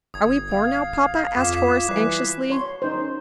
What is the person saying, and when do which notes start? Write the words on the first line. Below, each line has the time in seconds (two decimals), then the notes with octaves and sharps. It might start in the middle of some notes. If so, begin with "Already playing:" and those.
"Are we poor now, papa?" asked Horace anxiously.
0.14 G1 D#6 G#6
0.51 F5 D#6
1.36 F2 F4 D6 B6 E7
1.89 E3 G3 F#6 C7
2.50 C#5 C6
2.82 C#4 D#4 C5